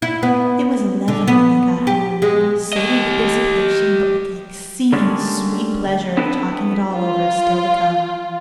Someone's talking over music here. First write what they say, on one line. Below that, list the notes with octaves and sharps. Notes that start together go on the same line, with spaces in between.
It was eleven when they got home, sated with dissipation, but with the exceeding sweet pleasure of talking it all over still to come.
E4
B3
D3
B3
G4
G#3
G4 D#5
D3 G3 G#3 A#3 C#4 D4
B3 C4 D4 E4 A4 B4
F4